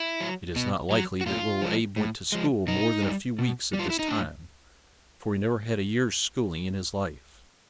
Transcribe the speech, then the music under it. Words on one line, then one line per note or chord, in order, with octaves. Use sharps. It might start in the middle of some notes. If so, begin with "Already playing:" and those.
It is not likely that little Abe went to school more than a few weeks at this time, for he never had a year's schooling in his life.
Already playing: E4
F#3
B2
F#3
F#4
A2 F4
F3 G#3
A2
F3 G#3
B2 D#4
G3
B2
G3
F4
E4
D#4
A2 D4